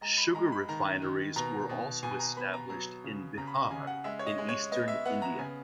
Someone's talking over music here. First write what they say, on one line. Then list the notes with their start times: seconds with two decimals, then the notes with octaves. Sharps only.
Sugar refineries were also established in Bihar, in eastern India.
0.01 G#3 A#5
0.18 B5
0.35 G#3 A#5
0.52 B5
0.69 D#3 A#5
1.02 D#3
1.36 B2 A#5
1.69 B2
2.03 B2 G#5
2.19 A#5
2.37 B3 B5
2.53 A#5
2.69 F#3 A#5
3.04 C#3
3.37 C#3 A#5
3.47 B5
3.54 A#5
3.71 C#3 G#5
3.87 F#5
4.04 G#3 E5
4.19 C#5
4.27 D#5
4.38 G#3
4.49 C#5
4.72 B3 D#5
4.88 E5
5.05 B3 F#5
5.22 A#5
5.39 C#3 G#5